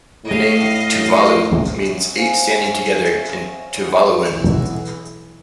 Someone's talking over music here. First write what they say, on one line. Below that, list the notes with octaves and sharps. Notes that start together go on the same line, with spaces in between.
The name, Tuvalu, means "eight standing together" in Tuvaluan.
A2 D#5 F5
C5 F5 G#5
B1 E3